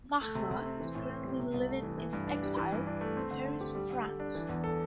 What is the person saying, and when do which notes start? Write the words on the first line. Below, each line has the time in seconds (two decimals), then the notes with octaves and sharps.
Nahla is currently living in exile in Paris, France.
0.21 A3
0.35 C3
0.51 C3
0.66 C4
0.80 E3
0.95 A2
1.09 C4
1.25 G3
1.40 C3
1.54 C2
1.69 A3
1.83 E3
1.98 E3
2.13 G2
2.28 D4
2.43 G3
2.57 E3
2.72 G2
2.87 D4
3.01 A3
3.17 C4
3.31 D3
3.45 D3
3.61 G4
3.75 G3
3.90 D3
4.05 A4
4.20 D4
4.35 E3
4.49 E2
4.64 A4